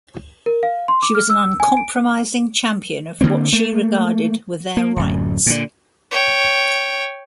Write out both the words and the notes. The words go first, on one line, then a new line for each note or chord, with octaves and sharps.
She was an uncompromising champion of what she regarded were their rights.
A#4
F5
C6
D6
F6
E6
G#5
D7
D3 F3 A#3 C4
A3 A#3
A#3
D1 F#2
A#2 D3
C#5 G5